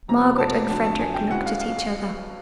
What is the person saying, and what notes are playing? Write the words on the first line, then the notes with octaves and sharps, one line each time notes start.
Margaret and Frederick looked at each other.
F2 C3 F3 A#5
A5
F2 D3 F#3 A5
A5
G#5
G5
B1 B2 G#3 C#4 E4 F#5
F5
F5